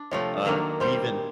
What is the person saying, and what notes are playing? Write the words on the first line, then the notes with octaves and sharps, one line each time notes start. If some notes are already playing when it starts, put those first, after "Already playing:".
uh, even
Already playing: D4
C3 F3 A3 C#5
D#3 F#3 A#3 D4
A#2 G3 C4 C5